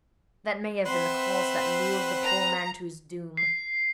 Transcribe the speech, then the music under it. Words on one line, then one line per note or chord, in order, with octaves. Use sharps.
That may have been the cause that lured the poor man to his doom.
C4 B4 C5 E5 F#5 C6
A#5
C7